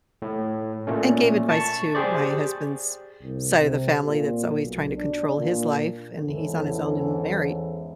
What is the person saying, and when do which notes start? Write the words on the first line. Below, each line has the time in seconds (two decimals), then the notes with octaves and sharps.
and gave advice to my husband's side of the family that's always trying to control his life and he's on his own and married,
0.22 A2
0.87 A#2 A3 C#4
1.49 A5 C#6
1.95 G4 G#4 C5 D5
3.22 C2
3.59 C3
4.07 A#2
4.63 B1
4.95 D4
5.38 A#2
6.25 E2 G#2 E3 C#4 A4